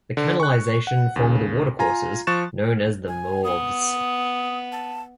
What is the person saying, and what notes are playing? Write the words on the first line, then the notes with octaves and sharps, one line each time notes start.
The canalisation formed the watercourses known as the mauves.
D3
C#6 F#6
F#5
D#2 C#3
F4 G#5 A#5
F3 C#6 F#6 A6 E7
G#5
B3 D#6
A5